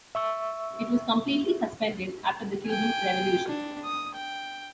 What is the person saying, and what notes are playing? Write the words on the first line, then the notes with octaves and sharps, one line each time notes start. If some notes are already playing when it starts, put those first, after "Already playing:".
It was completely suspended after the Cuban revolution.
E5 C#6 E6
G5 G#5
D4
D#6
G5